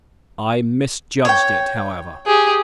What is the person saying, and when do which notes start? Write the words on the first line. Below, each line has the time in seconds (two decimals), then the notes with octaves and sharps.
I misjudged it, however.
1.25 C#5 G5
2.27 G4 G#4